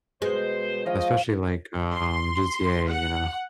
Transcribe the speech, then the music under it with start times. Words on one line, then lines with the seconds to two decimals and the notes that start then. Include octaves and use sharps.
especially like, um, GTA, you know,
0.22 B2 G#3 C5
0.86 F3 C#5 D#5 F5 G5
1.92 C6
2.89 F#5